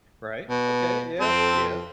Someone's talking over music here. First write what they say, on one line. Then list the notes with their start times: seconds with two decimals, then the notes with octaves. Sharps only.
Right. Okay, yep, yep.
0.49 B2
1.19 F2 C4 A4